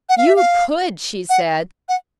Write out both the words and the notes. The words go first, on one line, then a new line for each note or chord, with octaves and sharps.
"You could!" she said.
F#5
F5
E5
F5
F#5
F#5